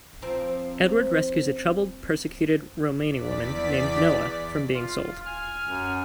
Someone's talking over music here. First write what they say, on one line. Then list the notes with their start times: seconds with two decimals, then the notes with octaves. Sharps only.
Edward rescues a troubled, persecuted Romani woman named Noah from being sold.
0.22 F3 C4 A#4
3.04 E2 D5 B6
4.75 F4
5.26 G#5 F6
5.65 F#2